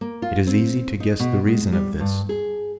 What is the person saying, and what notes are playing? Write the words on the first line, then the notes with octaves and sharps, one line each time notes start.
It is easy to guess the reason of this.
A#3
F4
C4
D#4
B2
G#3
G3
G2
G#4